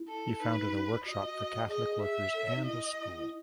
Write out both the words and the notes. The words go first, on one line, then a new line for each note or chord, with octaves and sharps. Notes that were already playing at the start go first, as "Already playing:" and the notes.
He founded a workshop for Catholic workers and a school.
Already playing: E4
A4
D#4 B4
F#4 D#5
F#4
F#4
G#4 D#5
E5
A4
C#5
D#4
E4 D#5